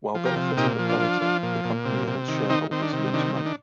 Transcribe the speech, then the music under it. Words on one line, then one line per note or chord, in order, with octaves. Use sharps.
While benefiting the predator, the company and its shareholders lose money.
F3
G4 A#4
C3
A#2 D#4 G4
F3
D4 F4
F3
F3
A#2
A#2
C3
C3
D#3
D#3 C4 D#4
D#3 C4
D4
C3
D#3 D4
D#3
D4